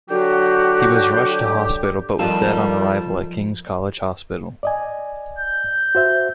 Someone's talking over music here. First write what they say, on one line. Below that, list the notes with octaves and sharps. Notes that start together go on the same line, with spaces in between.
He was rushed to hospital but was dead on arrival at King's College Hospital.
D3 F#3 F#4 G4
D#3 F3 G3 F4 A4
D5 D#5 G#5
G6
F#4 C5 E5